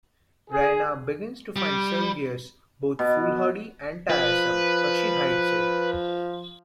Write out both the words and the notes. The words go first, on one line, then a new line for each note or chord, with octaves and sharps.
Raina begins to find Sergius both foolhardy and tiresome, but she hides it.
G#4
G3
B2
F3 B4